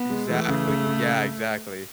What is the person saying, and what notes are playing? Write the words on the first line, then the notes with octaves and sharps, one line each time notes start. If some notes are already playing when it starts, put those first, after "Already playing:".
Exactly, yeah, exactly.
Already playing: B3
G#3
E3 A3
C#3
C#3
C#3